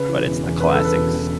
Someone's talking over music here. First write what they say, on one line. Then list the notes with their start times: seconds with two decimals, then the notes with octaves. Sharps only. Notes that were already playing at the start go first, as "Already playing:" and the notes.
But it's the classics.
Already playing: C#3 B4
0.09 E3
0.25 E1
0.43 E2
0.60 C#3 B4
0.73 A4
0.79 E3
0.85 B4
0.96 E1
1.14 E2